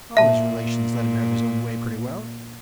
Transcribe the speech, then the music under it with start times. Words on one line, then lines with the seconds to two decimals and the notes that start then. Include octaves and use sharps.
All his relations let him have his own way pretty well.
0.17 A#2 E5 A5